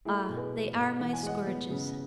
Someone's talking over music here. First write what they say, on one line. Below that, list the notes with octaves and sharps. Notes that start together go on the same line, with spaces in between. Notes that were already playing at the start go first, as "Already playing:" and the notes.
"Ah, they are my scourges."
A3 E4 G#4
B2
G#4 B4
A3
B2
E3 F#5
G#5
G#3 D#5 F#5
B3
C#3